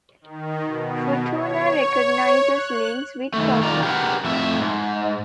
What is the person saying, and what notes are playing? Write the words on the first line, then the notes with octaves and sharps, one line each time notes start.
Futuna recognizes links with Tonga.
D#3
B2
C#5
F#6
D#3 A3
D#3 F4 D5 A#5
G4 G#4 A#4 B4 F#5
F2 A2 E5
G#2